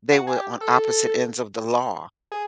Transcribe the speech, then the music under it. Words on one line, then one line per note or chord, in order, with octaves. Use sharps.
they were on opposite ends of the law.
F#4
G#4
G4
A4
G#4